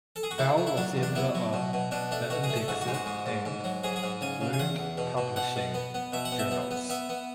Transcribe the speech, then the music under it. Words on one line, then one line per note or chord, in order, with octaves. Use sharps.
Bell was editor of "The Indexer" and "Learned Publishing" journals.
A4
G#4
F#4
A3 E4
A3
E4
F#3 D4
E2
D4
B3 E4
F#3
B2
B2
B2 D4
A3 D4
B2 F#4
G#4
A3
A4
G#2 F#4
F#4
G#3
F#4
G#2
G#2
G#2
F#3
G#2 G#4
G#4
G#2
C#3 G#5
C#3
G#5
E2 F#5
E2
B2
B2
B2 F#5
B2
B3
B3
B2 E5
F#5
B3
E5
B3
B3
B3 E5
B3